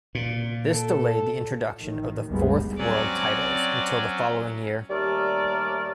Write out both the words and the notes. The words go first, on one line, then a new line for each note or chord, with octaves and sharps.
This delayed the introduction of the "Fourth World" titles until the following year.
A#2
A4
A1 D#3
G1 D2 G2 G3 G#3 B3
F#3 C4 C#4 D5
D#2 G3 A3 A#4 D5